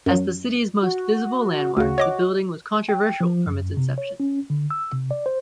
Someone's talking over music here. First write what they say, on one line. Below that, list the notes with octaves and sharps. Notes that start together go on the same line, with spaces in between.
As the city's most visible landmark, the building was controversial from its inception.
F#2 F#3
F#4
D2 C#3 F#4
C#5 D#5 D6
G5
F3
F#2
C3
C#5
C#4
D3
E6
C3
D5
C5